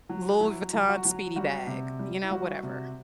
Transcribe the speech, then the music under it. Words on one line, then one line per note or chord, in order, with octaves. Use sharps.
Louis Vuitton speedy bag, you know, whatever.
F#3
F#3 E4
F#3
F#4
F#3
G3 F#4
C3
G3
E4
G3 F#4
C3